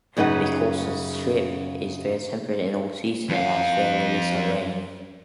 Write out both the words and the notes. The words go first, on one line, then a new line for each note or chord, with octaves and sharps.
The coastal strip is very temperate in all seasons and has very little rain.
F#2 C#3 D#4 B4 F#5
F2 F5